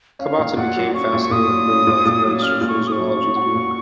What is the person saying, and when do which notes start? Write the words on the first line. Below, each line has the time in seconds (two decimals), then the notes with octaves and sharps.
Kabata became fascinated with marine life and registered for a zoology degree.
0.19 C#4 F5
0.38 A#2
0.57 A#2 F#5
0.76 F#3
0.94 C#4 C#6
1.13 A#2
1.23 C#6
1.31 A#2 D#6
1.50 F#3
1.69 C#4
1.87 A#2
2.05 A#2
2.24 F#3
2.42 C#4 F6
2.61 A#2
2.68 C#6
2.80 A#2
2.87 D#6
2.92 C#6
2.98 F#3
3.17 C#4
3.36 F#4
3.55 A#2